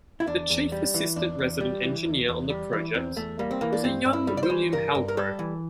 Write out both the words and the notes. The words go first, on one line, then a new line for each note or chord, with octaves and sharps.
The chief assistant resident engineer on the project was a young William Halcrow.
E4
E2 D4
E2
G3
E3
E2 D4
E2
G3
E3
E2
E2
G3
E3
E2 C4
E2 A3
G3 A#3
C4
E3 A#3
D4
G2 C4
G2
E4
G3
D5
C5
E3
G2 A#4
G2
A#4
G3 A4
E3